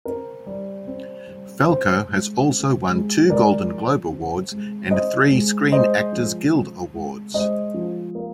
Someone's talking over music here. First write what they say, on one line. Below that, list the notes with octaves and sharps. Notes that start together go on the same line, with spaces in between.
Falco has also won two Golden Globe Awards and three Screen Actors Guild Awards.
C4 A#4
G3
C4
G3
C4 C5
G#3
C4
G#3
G#3 A#4 D5
F3
C4
G#3
C4 C5 D#5
G#3
G#3 C5 D#5
F3
C4
G#3
G#3 C5 D#5
F3
A#3